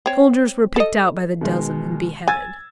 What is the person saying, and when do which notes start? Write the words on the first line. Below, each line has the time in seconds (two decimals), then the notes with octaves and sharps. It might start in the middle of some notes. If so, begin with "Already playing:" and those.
Soldiers were picked out by the dozen and beheaded.
0.06 C4 C#5
0.76 A4 D#5
1.41 B2 D#3 G#3
2.28 G#5 E6 G#6 A6